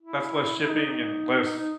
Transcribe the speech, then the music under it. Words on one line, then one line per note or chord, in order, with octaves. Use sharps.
that's less shipping and less,
E4
D#4
D#4
D#4